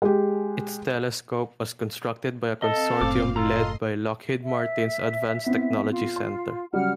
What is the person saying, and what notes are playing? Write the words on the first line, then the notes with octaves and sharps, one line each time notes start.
Its telescope was constructed by a consortium led by Lockheed Martin's Advanced Technology Center.
G#3 G4
C4 A4 D#5 F5
F#1 A2 D6
F4 A4 D#5 A#5 C6
E5
B3 C4 E4
F4
C6
C#3 F#3 G3 F#5 F6